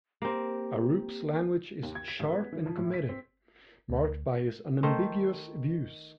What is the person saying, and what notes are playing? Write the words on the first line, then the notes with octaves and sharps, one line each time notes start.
Arup's language is sharp and committed, marked by his unambiguous views.
A#3 C4 G4
D#2
G#6
B6
A1
B3
E3
F3
A2
B6
C4
D2
D#3 A3 C5